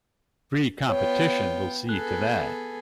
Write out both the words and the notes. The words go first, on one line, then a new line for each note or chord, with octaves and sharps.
Free competition will see to that.
B3 F4 C#5 G5
B3 G#4 A4 F#6